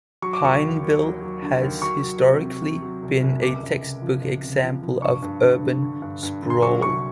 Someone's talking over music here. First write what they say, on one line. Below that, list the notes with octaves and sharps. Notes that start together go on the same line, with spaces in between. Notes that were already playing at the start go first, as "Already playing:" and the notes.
Pineville has, historically, been a textbook example of urban sprawl.
F#3 C#6
D6
D#2 C#6
D#2
D#2
F#3
F#3
D3
D#2
F#3 C#6
F#3
C3
C3
C3
F#3
C2
C2
C#2 D6
C#2
C#2
F3
C#2
C3
F3
F3
G2 C#6
G2
D3
D3
D3
G2
G2
D3
C6
F#3 C#6
C2 C#6